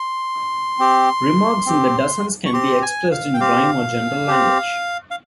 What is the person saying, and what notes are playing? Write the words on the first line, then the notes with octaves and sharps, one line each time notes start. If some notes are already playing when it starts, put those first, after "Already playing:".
Remarks in the Dozens can be expressed in rhyme or general language.
Already playing: C6
C4 G4
C4 G4
C#6
C4 G4 C6
G#5
F5
G5
C4 G4 F5
C4 G4
F5